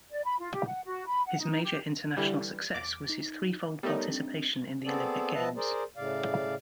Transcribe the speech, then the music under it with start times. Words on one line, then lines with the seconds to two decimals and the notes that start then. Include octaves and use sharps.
His major international success was his threefold participation in the Olympic Games.
0.10 D5
0.24 B5
0.40 F4
0.52 G4
0.66 F#5
0.85 F#4
1.07 B5
1.26 F#5
1.39 D#4
1.63 G4
2.17 D3 E3 G3
2.74 E2 D6
3.09 D#4
3.83 G3 A3 B3 D#4 A#4 C#5
4.08 C4 D4
4.86 B3 C4 G#4 A4 D5
5.34 F3 B3 B4 D#5 E5 A5
5.56 G#4 A#4 C5 D5
5.97 A2 C#3 D5 F5